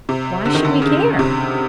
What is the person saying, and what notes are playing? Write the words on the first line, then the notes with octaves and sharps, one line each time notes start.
Why should we care?
C3
D3
D#3
D3
C#3
C3